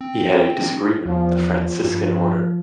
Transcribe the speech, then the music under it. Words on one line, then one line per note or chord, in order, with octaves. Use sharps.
He had a disagreement with the Franciscan order.
C4
E2 F3
G2